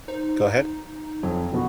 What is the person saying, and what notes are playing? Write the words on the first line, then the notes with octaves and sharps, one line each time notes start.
Go ahead.
D#4 C5
F2 F#3
B2 B3 F#4